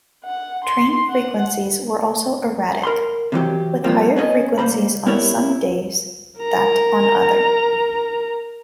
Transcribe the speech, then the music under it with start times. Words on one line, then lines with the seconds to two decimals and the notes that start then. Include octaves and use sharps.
Train frequencies were also erratic, with higher frequencies on some days that on other.
0.25 F#5
0.64 C6
1.09 F#5
2.83 A#4 B5 C6
3.32 C3 E3 F#3 G4
3.84 A#2 F3 G3 A#3 C4
4.16 B3 C#4 G#4 D#5
4.58 C2 A#3 C5 A#5 B5
5.07 B3 E4 G4 A#4 C#5 D5
6.41 A#4 A#5